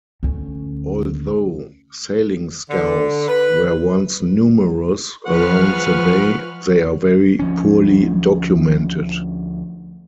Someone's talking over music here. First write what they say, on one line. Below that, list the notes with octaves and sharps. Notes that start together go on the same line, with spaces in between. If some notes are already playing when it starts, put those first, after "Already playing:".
Although sailing scows were once numerous around the Bay, they are very poorly documented.
D2 C#4
D3
B4
F3 G#3 B4 F#5 C#6 F6
D2 F3 C#4